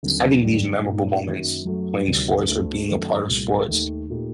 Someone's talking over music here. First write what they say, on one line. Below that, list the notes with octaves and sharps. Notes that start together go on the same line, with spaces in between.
having these memorable moments playing sports or being a part of sports,
D#2 D3 F#3 C4
F#2 D3 G3 A#3
A#2 A3 D#4
F#2 D#3 F#3 A#3
F#2 F#3 A3
D2 C3 D#3 G3
D2 D3 A3
F#2 D#3 A3 D#4
C2 A#2 A3
D#2 D#3 A3
A#2 A3 D#4 G4